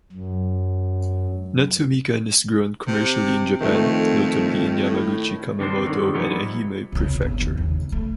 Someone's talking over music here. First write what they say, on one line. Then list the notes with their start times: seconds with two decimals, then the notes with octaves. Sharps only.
Natsumikan is grown commercially in Japan, notably in Yamaguchi, Kumamoto and Ehime prefecture.
0.12 F#2
2.87 C3
3.61 F2 D#3 A3
4.84 A2
5.60 G2 D#3 C4 D4 C5
5.83 F#2 B2 D3 D#3
6.14 F3 G3 B3 D#4 E4 G#4
6.92 C#2 C#3
7.22 G1
7.42 D#2
7.57 C#3
7.92 A3